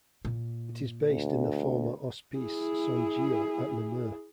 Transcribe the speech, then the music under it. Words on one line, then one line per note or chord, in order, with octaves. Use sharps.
It is based in the former Hospice Saint-Gilles at Namur.
A#2
D2
E4 G#4